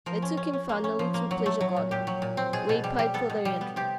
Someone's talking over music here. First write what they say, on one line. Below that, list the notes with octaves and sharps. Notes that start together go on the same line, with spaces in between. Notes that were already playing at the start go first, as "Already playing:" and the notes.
They took him finally to a pleasure garden, where he paid for their entrance.
F3 A#4
C#4
C#4
C#4
A#3
C#4
F3
A#3
F#3
A3
F#3
A#2
A#2 G4
F#3
A#2
C4
B2 G#4
B2
G3
G3
B3 A4
B2
G3
B3
C3 G4